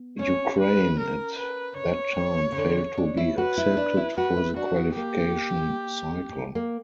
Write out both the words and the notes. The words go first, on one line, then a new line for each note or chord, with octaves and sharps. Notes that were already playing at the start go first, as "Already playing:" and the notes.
Ukraine at that time failed to be accepted for the qualification cycle.
Already playing: B3
C#4 C#5
B4
A#4
B4
C#5
C#3
D3
D4
E4
F#4 B4
E4
D4
E4
F#4 B4
E4
D4 F#4
B3
A#3 G4
A#3